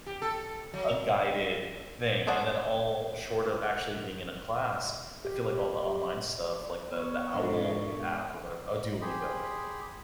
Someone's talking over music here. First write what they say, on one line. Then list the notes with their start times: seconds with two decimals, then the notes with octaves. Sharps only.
a guided thing, and then all short of actually being in a class, I feel like all the online stuff, like the the owl app or whatever Oh, Duolingo,
0.06 G4
0.22 A4
0.74 F#3
2.27 C#4 G#4 C5 D5 F#5
5.25 G4
6.91 B3 C#5
7.33 G#2 B2 D4 A#4
9.01 G4 G#4 B5 C6